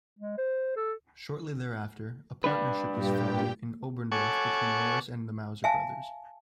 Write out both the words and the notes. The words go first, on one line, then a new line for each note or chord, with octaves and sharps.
Shortly thereafter, a partnership was formed in Oberndorf between Norris and the Mauser brothers.
G#3
C5
A4
D4 B4
G2 A#2 G4 G5
A4 C#5 F#5 G#5 C#6 D6
E5 F5 G#5 A5